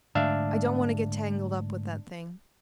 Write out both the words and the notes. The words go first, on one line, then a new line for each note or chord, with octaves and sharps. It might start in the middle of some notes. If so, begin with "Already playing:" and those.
"I don't want to get tangled up with that thing."
G#2 D3 A3 D4 E5 F5